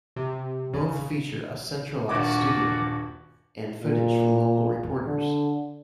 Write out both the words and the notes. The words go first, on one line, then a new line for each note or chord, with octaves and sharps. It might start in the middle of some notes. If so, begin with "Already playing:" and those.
Both feature a centralized studio and footage from local reporters.
C3
C#3
D#1 G2 A#3 F#4 D5 D6
A#2
D3